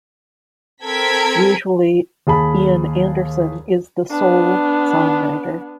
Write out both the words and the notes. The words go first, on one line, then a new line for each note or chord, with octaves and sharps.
Usually Ian Anderson is the sole songwriter.
C4 A4 A#4 G#6 B6 D7
D#2 G#4 A5 B5
B3 D4